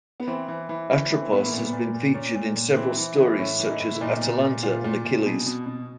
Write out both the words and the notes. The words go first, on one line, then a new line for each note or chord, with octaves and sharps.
Atropos has been featured in several stories such as Atalanta and Achilles.
B3
E3 C4
E3
E3
E3 C#4
E3
C4
A2 B3
A#3
A#2
B3
A#2
A#2
A#2 C#4
A#2
A#2
E3 C4
E3
E3
A2 C#4
E3
D#4
A2
E4
A#2 D#4
A#2
A#2
A#2 F4
A#2
A#2
B2
B2
B2